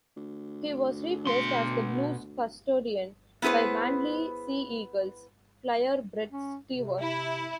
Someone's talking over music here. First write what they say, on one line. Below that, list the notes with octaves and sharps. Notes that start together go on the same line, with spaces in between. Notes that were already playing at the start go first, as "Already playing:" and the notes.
He was replaced as the Blues custodian by Manly Sea Eagles flyer Brett Stewart.
D2
B2 C6
B3 E4 G#4 B4 C5
C#4
C3
E4